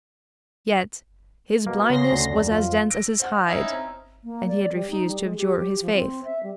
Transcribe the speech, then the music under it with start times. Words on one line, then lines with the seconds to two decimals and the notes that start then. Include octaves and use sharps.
Yet "his blindness was as dense as his hide," and he had refused to abjure his faith.
1.67 B2 A#3
1.90 C#3 F#3 C6 A#6
2.11 D2
2.29 F2 D4
2.51 F4
2.90 E6 A#6 D7
3.20 C5 F#5 F6
3.48 C#4 D#4 E4
3.72 C4 A#5
4.24 A#3
4.48 D5
4.73 G3
4.90 D#4
5.07 G3
5.23 G#3
5.38 G4
5.56 G4
5.81 F3
5.95 C4
6.25 E5
6.43 G3